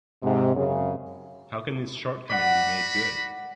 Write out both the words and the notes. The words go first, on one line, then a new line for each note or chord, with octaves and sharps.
How can this shortcoming be made good?
G#2 C3
F#2 C#3
F#4 D5 F#5 B5